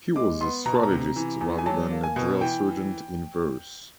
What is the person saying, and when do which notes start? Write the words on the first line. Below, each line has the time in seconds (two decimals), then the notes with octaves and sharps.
He was a strategist rather than a drill-sergeant in verse.
0.16 G#3 D6
0.41 B3 C6
0.66 B2 A#5
0.75 A5
0.83 A#5
0.91 C3
1.16 E3
1.41 E2
1.58 G#5
1.66 F#3 A5
1.91 A#3
2.04 G#5
2.16 B2
2.41 E3 G5